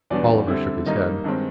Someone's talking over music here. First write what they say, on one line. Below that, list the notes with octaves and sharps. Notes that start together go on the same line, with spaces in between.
Oliver shook his head.
E2 B2 G3 B3 D4 D5
D3 G3 C4 E4
D#3 G3 A#3 D#4 D#5
G2 D#3 G#3 C4